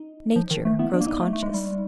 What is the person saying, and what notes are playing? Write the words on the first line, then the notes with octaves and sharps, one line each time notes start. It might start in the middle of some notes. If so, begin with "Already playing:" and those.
Nature grows conscious.
Already playing: D#4
F3
D#3
A3
B3 E4
D4
A#3
D#4
A3
A3
G#3
G3